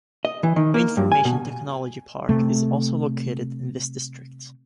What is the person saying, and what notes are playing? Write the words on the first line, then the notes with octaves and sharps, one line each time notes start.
Information Technology Park is also located in this district.
D#5
E3
D#3
A#3
G2
G#5
B2
C3 A3